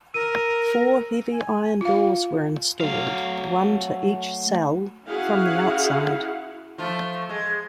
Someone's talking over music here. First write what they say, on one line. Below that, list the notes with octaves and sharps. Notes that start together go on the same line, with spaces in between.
Four heavy iron doors were installed, one to each cell, from the outside.
A#4 E6 D#7
G#5
F4 F5
F#3 A3 F5
C#4 E4 F#4 G#4 F5 F#5
F3 A3 F4
G#3